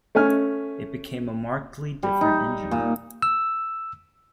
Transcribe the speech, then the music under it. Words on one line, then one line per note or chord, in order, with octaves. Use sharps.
It became a markedly different engine.
A3 C#4 G#5 F6
G3
D#4
A#2
E6